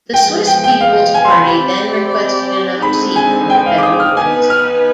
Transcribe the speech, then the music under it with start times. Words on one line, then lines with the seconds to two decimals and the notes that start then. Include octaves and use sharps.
The Swiss People's party then requested another seat in the Federal Council.
0.13 F3 G#3 B3 G5
0.47 G5
0.64 G5
0.81 F5
1.14 G#5
1.25 C6
1.31 B5
1.48 C4 G4 D5 B5
2.82 D3 G#3 C4 D#4 B5
3.16 G#5
3.50 G5
3.66 F5
3.78 D6
3.83 D#6
4.00 F6
4.17 B3 D#4 B4 G#5
4.50 F6